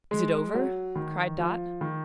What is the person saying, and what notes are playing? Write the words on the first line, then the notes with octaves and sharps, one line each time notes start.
"Is it over?" cried Dot.
G#3
F#3
D#3
F3
D#3